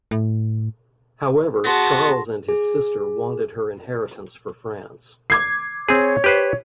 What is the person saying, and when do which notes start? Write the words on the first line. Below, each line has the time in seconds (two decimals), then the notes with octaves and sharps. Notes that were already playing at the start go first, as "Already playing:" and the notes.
However, Charles and his sister wanted her inheritance for France.
0.11 A2
1.65 B3 F#4 G#4 A5 C6 A#6
2.49 G#4
5.30 D6 G#6 C7
5.89 C4 G#4 C#5
6.24 G4 B4 C5